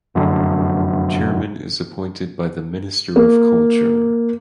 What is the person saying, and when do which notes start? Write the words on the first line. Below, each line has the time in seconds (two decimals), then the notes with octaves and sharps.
Chairman is appointed by the Minister of Culture.
0.15 F1 F#2 D3
3.16 A#3